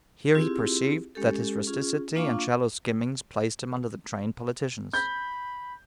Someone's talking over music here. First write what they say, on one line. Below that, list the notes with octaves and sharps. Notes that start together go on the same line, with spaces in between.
Here he perceived that his rusticity and shallow skimmings placed him under the trained politicians.
C4 E4 F4 G4 G#4
G#3 C#4 G4 A4
C#4 F4 G#4
A#3 D4 F4 F5 C#6 D6
B5 G6